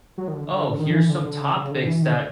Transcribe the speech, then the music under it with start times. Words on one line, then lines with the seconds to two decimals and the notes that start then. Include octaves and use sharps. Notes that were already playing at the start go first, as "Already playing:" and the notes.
"Oh, here's some topics that
0.18 F#3
0.28 D#3
0.33 D3
0.48 D3
0.79 D#3
0.90 F3
0.95 E3
1.10 D3
1.25 D3
1.41 C#3
1.56 C#3
1.71 D3
1.87 E3
2.02 D#3
2.12 D3